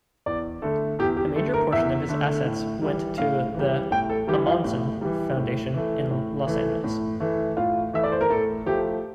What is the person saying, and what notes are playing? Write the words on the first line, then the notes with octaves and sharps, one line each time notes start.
A major portion of his assets went to the Ahmanson Foundation in Los Angeles.
E2 D5
D3 A3 A4
E2 G4
G4
D3 A3 A4
A#4
E2 E5
D3 A3
A2
E3 G3
A2 F5
E3 G3
A2 G5
A4
E3 G3 G4
F4
A2
E3 G3
A2
E3 A3
A2
E3 A3
A2
E3 A3
A2 F4
E3 A3 E5
D5
C5
A#4
A2 A4
F3 A3 G4